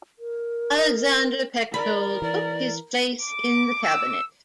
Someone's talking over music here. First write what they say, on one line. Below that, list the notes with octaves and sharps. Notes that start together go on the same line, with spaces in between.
Alexander Pechtold took his place in the cabinet.
A#4
A#4 D5 B5
E3 D5
D6
E6